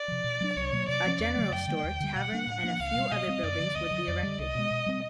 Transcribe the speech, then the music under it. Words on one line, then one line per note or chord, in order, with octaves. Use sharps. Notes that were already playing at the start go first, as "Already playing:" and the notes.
A general store, tavern, and a few other buildings would be erected.
Already playing: D5
C3 F3
B2
F#3 A3 D4
C2 C#5
B2 F#3 A#3
C3 D5
F3 A#3 C#4
E2 D5
C#3 F#3 A3
F#2 G5
D3 G3 A#3
D#2
D3 G3
B2 F#5
G3 A#3 D4
A2
F3 A#3 D4
C#2 F5
B2 G3
B2 D#5
G3 C4
F#2 D5
D3 F3
D2 D#5
D3 F#3
F2 D5
D3 G3
C2 D#5
B2 G#3
B2
G3 C4